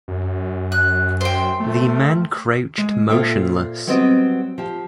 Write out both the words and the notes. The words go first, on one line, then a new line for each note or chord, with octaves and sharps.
The man crouched motionless.
F#2
F#6
C5 G5
A3
G#3
A#2 F4 A4 C5 E5 G5
F#3 G3 B3 C4 D#5
F3 G4